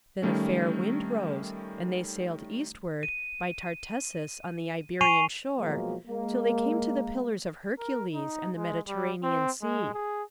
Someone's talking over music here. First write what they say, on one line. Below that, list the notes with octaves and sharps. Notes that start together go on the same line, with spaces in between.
Then a fair wind rose, and they sailed eastward, by Tartessus on the Iberian shore, till they came to the Pillars of Hercules, and the Mediterranean Sea.
D#3 G3 A3 C#4
D#7
G#5 C#6 C7 D#7 F7
B2 F3 F#3 G#3 A#3
G#3 A#3
A#4
D#4
G#3
G3
C4
G#3
G#4